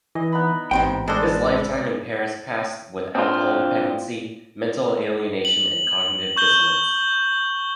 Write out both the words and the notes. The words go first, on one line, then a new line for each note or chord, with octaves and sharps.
His lifetime in Paris passed with alcohol dependency, mental alienation and cognitive dissonance.
E3 D#5
B3 D#4 B5
A1 G#2 C4 G5
G#3 D4 A4 C5 D#5
C4 D4 F4
F#7
C#6 G6 G7